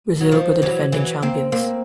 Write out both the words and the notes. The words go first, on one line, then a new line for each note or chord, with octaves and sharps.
Brazil were the defending champions.
F#3
D#3 F3
E3 F#3
E3 F#3
A#3 C4
A#3 C4